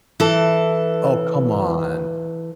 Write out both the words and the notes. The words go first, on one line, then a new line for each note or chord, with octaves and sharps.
Oh, come on.
E3 A4